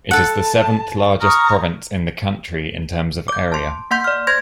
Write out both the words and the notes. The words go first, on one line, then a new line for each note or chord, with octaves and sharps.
It is the seventh largest province in the country in terms of area.
A4 F#5 A5
A#5 C#6 D#6 F6
D6 G6
A5 C6
A#3 F#5 C6 G6 B6
D5 F6
C5 C6 G6 G#6 A#6